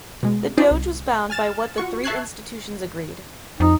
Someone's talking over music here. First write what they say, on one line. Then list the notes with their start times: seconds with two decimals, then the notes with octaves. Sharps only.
The Doge was bound by what the three institutions agreed.
0.23 B2 G#3
0.57 C#4 D#4 F4 G#4 C5 D5
0.71 C2
1.30 G#5 F6 A6 E7
1.78 F4 F#4 C#6
2.04 E5 A5 C#6 F#6 G#6 C7
3.60 F2 D#4